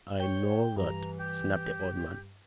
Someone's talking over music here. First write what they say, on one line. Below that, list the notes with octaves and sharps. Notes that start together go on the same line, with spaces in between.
"I know that," snapped the old man.
C#5 G5
G2 E3 A#5
G4